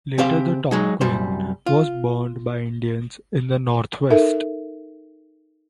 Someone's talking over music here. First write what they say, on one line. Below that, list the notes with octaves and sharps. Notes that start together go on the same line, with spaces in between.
Later the "Tonquin" was burned by Indians in the northwest.
C#3 C4 G4 C5 F5
F#3 G#3 D#4
C2 F#2 G3 C5
F4
D#4 A4 A#4 E5